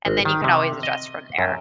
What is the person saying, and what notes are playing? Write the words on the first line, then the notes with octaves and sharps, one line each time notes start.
and then you can always adjust from there.
G#1
D#3
C3
D#5
F#2